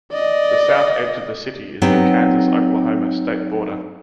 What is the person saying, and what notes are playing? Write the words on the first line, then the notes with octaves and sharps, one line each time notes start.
The south edge of the city is the Kansas-Oklahoma state border.
D5 D#5
F#3 B3 C4 D#4 G4